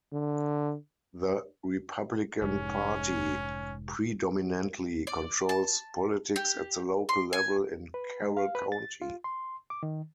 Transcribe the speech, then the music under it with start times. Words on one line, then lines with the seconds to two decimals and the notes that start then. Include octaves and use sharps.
The Republican Party predominantly controls politics at the local level in Carroll County.
0.13 D3
2.42 F1 G#2 C#4
5.07 D5
5.49 A5
6.36 G4
7.09 C6
7.33 G#5
7.94 B4
8.22 G#3
8.37 F5
8.55 B4
8.72 A6
9.02 F4
9.24 C6
9.70 D6
9.83 D#3